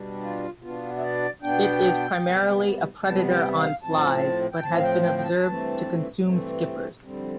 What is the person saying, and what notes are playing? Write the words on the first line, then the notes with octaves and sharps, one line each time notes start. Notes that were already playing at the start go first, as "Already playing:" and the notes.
It is primarily a predator on flies, but has been observed to consume skippers.
Already playing: B2 G3 D4
F4
B2 B3 D4 F4
E5
D5
B2 B3 D4 G5
C3 G3 B3
C3 G3 B3 A5
G5
E5
F5
A2 F3 C4 A5
G5
A2 F3 C4 A5
F5
G5
G5
G5
A5
G2 E3 A3 C4
G2 E3 A3 C4
F2 D3 G3 C4